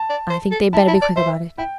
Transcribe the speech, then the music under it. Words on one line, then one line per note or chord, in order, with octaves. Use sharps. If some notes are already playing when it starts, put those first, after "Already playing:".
I think they'd better be quick about it.'
Already playing: A5
D5
C5
A4
E4 A5
E4
A5
D5
C5 E5
E4 G5